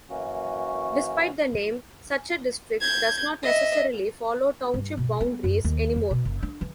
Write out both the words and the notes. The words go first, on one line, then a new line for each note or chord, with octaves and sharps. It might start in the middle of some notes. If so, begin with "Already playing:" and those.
Despite the name, such a district does not necessarily follow township boundaries anymore.
F#2 E3 A#3 C#4 F#4
G6 G#6
D#5 E5
G2
B2
B3
F#2
D#2
F2
B2
F#1
D4
E3